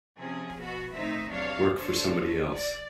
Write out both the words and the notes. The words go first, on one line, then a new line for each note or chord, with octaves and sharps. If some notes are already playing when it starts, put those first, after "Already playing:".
Work for somebody else.
C3 F3 C#4 G#4
B2 B3 F#4
A2 D#3 C4 D#4 C5 E5
E2 C3 F#3 D4 C#5 F5
D4 F#4 A4 C5 C#5
D5